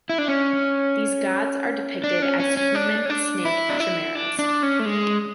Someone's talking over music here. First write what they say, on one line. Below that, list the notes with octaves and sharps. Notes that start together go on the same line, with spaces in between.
These gods are depicted as human-snake chimeras.
E4
D4
C#4
D4
C#4
C#4
C#4
D4
C#4
D4
E4
D4
E4
D4
D4
C#4
A3
G#3